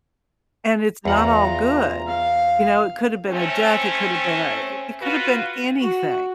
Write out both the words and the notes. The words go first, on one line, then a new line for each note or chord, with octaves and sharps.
and it's not all good. You know? It could've been a death, it could've been a eh it could have been anything.
E2 F4 F#5 A#5
F5
A3 C4 C#4
F4 F#4 B4
F#4